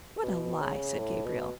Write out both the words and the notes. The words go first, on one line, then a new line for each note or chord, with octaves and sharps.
"What a lie!" said Gabriel.
B2
C#3
A2
B2